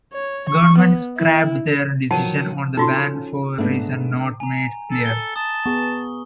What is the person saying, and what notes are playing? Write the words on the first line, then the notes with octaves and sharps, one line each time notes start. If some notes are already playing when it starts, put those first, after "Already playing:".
Government scrapped their decision on the ban for reasons not made clear.
C#5
C#6
B3
E4
D#3 F3 F#3 F#5 A5 D#7
C#4 D#4 F4 F#4 A4
G#2 A3 B3 D4
G#5 A#5
A4
G7
A5 D#6
B3 G#4 C#6